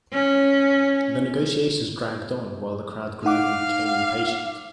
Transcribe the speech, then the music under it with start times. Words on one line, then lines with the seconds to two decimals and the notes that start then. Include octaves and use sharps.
The negotiations dragged on while the crowd grew and became impatient.
0.13 C#4
3.25 D#4 F5 F#5 D6